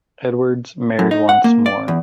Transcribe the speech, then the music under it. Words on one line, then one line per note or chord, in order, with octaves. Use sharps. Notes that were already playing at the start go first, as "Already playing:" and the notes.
Edwards married once more.
F#2
D#4
F#5
A#3
D5
E2